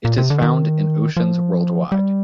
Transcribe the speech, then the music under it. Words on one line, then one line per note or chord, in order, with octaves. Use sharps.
It is found in oceans worldwide.
A#2
C3
D3
D#3
F3
G3